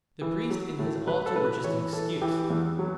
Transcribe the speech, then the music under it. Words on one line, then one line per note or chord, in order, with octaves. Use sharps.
The priest and his altar were just an excuse.
E3
F#3
A2
F#3 B4
A4
A2 B4
E3 C#5
E3 A4
E3 G4
E2
F#3